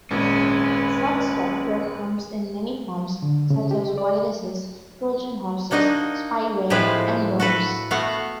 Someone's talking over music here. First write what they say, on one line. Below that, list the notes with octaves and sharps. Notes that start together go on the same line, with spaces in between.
Such software comes in many forms, such as viruses, Trojan horses, spyware, and worms.
G#1 A#2 G#3 C#4 B4
D3
C#3
G4
D5
A#3 D4 D#4 F#4 D#5
A2 F3 G#3 C4 G4 B4
F#4 A4 B4
A3 B3 F#4 F5 F#5